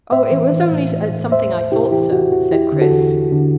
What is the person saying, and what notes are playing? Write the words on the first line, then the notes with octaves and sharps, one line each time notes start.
"Oh, it was only at something I thought, sir," said Chris.
A2 C5 E5
E3
E3
A2
A2
A2
E2 C5 E5
E2
C3 E4 G4
E3 E4 G4
E2 F#4
E2 F#4
E2 E4 G4
D3
F#4 A4
E2
E2
D3